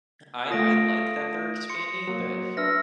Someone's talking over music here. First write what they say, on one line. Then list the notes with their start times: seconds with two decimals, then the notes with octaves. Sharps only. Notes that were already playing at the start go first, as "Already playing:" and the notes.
I I like that they're expanding, but
0.50 A3 F4 D#6 A#6 D7
1.69 C6 C#7
2.07 F#3 A#3
2.57 D4 B4 E5 E6 F6 A#6